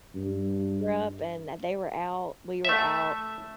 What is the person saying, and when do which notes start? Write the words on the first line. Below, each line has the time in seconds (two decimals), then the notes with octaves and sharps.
grew up and they were out we were out
0.15 G2
2.65 A3 E5